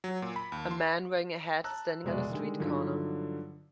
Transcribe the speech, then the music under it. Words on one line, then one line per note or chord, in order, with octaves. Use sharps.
A man wearing a hat standing on a street corner.
F#3
A#2
B5
D#2
C6
A5 A#5 E6 F#6
F1 B2 G#3 F#4 D5 E5
D3 D#3 G3 G#3
G2 D3 F3 F#3 D#4